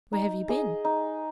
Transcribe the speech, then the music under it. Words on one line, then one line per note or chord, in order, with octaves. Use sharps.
Where have you been?'
D#4
G#4 D#5
D#4